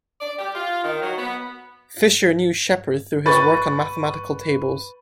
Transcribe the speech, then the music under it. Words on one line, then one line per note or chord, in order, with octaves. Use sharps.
Fisher knew Sheppard through his work on mathematical tables.
D5
G4
F4
D#3
F#3
B3
B4 C#6 A6